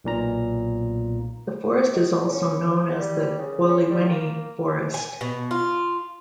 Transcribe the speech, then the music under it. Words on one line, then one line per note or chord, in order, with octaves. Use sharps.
The forest is also known as the Gwaliweni Forest.
B1 A#2 A#5
D#3
A#2
C#4
F3
G3
C#3
C#4
G3
A#3
G#5
B2
F4